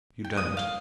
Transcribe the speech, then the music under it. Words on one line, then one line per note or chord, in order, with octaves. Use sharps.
You don't.
G5
D#6
F5